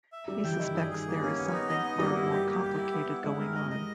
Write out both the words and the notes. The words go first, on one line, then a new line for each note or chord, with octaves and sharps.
He suspects there is something far more complicated going on.
E5
G3 E5
E3 G5
D#3 E4
G3 G#4
G#4
A#3
C#4
B3
D#4
D#5
B3
G3 A#3
E4
G4
A#3
G4
E4
B3
E4
G#3 E4
A#4
D#5
D#5